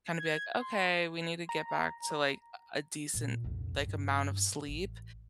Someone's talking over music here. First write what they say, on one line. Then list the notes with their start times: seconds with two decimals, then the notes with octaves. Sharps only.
kinda be like, "Okay, we need to get back to, like, a a decent, like, amount of sleep,"
0.19 G#6
0.59 C6
1.49 A#5
3.14 A#2 A3
3.44 C2 F2
3.77 G2 A#2
4.68 A1